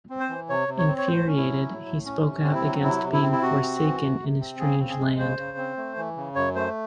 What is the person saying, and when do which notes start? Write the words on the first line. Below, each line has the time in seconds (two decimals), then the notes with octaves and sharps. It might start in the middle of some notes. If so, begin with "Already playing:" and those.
Infuriated, he spoke out against being "forsaken" in a "strange land".
0.10 C4
0.20 C5
0.30 E3
0.49 C3 C#5
0.68 C3
0.78 C#5
0.88 C4
0.98 C#5
1.07 A2 C5
1.27 C#4
1.37 E4
1.47 F#3
1.66 A2
1.86 A2
2.06 C#4
2.25 C3
2.44 C4
2.54 E4
2.64 F#3
2.84 C3 E4
3.03 C3
3.13 E4
3.23 C4
3.32 E4
3.42 C3 F#4
3.62 C4
3.82 E3
4.01 C3
4.21 C3
4.41 C4
4.60 C#3 G#4
4.79 C4
4.89 G#4
4.99 G#3
5.19 C#3 C5
5.38 C#3
5.57 C4
5.77 A3
5.97 E3
6.16 C#3
6.35 F#2 C#5
6.55 A3 C5